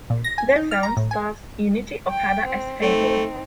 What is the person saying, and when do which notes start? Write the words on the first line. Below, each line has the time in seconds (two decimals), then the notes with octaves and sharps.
The film stars Junichi Okada as Fable.
0.10 A#2
0.24 A#6
0.38 G#5
0.56 D#4
0.71 F6
0.83 A#5
0.97 A2
1.11 G#5
2.10 G5
2.47 C4
2.81 A3 C4 D#4